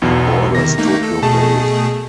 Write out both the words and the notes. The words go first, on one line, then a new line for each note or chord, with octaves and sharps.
It borders Tokyo Bay.
B1 E2 B2
C3 D#3 A#6
A3 A#3 D#4
A4
B2 A3 G#4 A5